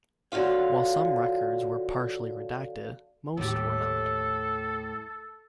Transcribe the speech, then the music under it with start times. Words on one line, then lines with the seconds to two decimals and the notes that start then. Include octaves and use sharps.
While some records were partially redacted, most were not.
0.32 D3 F#3 F4 F5
3.37 D#2 A2 G4 A4